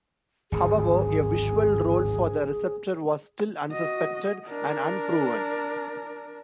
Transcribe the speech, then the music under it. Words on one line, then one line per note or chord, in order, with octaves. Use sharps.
However a visual role for the receptor was still unsuspected and unproven.
D1 G#1 G#4
F#4 D#5
D4 A#4